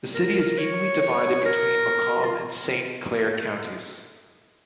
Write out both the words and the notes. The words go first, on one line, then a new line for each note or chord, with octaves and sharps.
The city is evenly divided between Macomb and Saint Clair counties.
A#4
A#4
C#5
C#5
A#4
F4